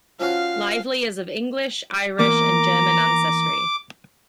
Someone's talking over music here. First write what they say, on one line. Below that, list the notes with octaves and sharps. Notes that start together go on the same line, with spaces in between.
Lively is of English, Irish and German ancestry.
F3 C#4 F#4 F5
E2 A#3 A#5 D6